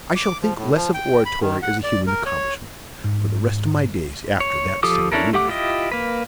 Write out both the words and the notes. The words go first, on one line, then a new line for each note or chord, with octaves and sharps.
I shall think less of oratory as a human accomplishment, for the rest of my days, after that Sunday evening.
D6
F3
A2
F3
G5
B5
D#3
F#5
D5
A#4
C#5
G#2
C#5
F3 G4 A4 D6 D#6
C#4 D4 E4 A4 A#4
A3 G4 F#5 D6
E4 F4 G4 D#5
A#3 B4